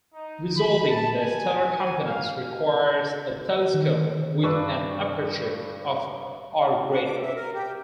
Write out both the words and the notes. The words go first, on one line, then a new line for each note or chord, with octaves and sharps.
Resolving the stellar components requires a telescope with an aperture of or greater.
D#4
B5
A5
G#5
G#5
F5
D#3
G2 D4 B4 C#6 E6
D4
D6
E5
A#4
G4